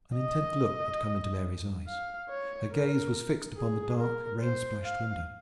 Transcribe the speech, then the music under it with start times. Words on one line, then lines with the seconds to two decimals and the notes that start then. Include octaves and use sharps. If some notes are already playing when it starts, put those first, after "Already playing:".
An intent look had come into Mary's eyes; her gaze was fixed upon the dark rain-splashed window.
0.17 D#5
1.88 F5
2.29 C#5
2.72 A#4
3.57 G#4
3.99 A#4
4.42 C5
4.84 F5